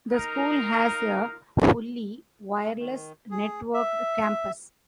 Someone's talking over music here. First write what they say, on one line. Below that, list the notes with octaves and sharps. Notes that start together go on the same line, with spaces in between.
The school has a fully wireless-networked campus.
D#4 A#4 F5 A#5
G#3
D#3
G#4
E5